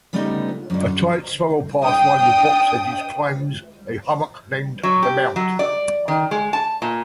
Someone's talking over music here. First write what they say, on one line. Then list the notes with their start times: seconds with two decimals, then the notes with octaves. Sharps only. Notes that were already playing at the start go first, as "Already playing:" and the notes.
A tight spiral path lined with box hedges climbs a hummock named "The Mount".
0.13 C#3 G3 A3 B3 D4 D#4
0.70 F#2 D3
1.83 D4 G5 D#6
4.83 F#3
5.03 G4
5.36 F#3
5.59 D5
6.08 D#3
6.31 G#3
6.53 A5
6.82 A#2